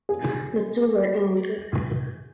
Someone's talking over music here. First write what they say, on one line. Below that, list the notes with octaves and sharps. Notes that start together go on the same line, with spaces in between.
The two were Engr.
G#4